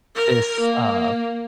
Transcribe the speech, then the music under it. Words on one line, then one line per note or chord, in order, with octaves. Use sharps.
This, uh,
A#4
A#3